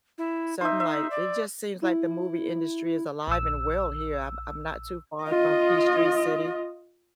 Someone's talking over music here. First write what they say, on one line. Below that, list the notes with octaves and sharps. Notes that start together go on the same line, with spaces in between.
something like it just seems, like, the movie industry is alive and well here. I'm I'm not too far from Peachtree City
E4
D#4 C5 E5
E5
D5
E4
A#1 E6
F4 D#5